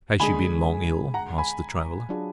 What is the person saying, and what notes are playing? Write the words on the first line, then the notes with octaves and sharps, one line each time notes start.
"Has she been long ill?" asked the traveller.
D3 G#3 D4 G#4 G#5 B5
F#5 A#5
G#5 B5
F#3 D4 F4 G#4